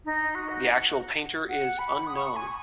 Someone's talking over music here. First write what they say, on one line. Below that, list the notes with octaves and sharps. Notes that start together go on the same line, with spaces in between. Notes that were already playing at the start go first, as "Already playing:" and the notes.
The actual painter is unknown.
D#4
F#4
F#5
F#5
F#5
B5
D#6
C#6
C#6
G#5